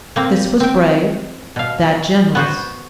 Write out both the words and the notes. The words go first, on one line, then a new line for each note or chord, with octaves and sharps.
This was brave, that generous.
A#3 C4
C4 G5
B2 F5
B3 F#4 C5